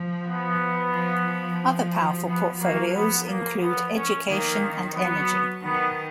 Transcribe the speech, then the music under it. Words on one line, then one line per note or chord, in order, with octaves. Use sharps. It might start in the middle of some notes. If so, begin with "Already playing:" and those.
Other powerful porfolios include Education and Energy.
Already playing: F3
B3
F3
F3
F3 B3
F#3 A#3
F3 B3
A#3
B3
C#4
D#3 A#3
F#3 B3
D#3 B3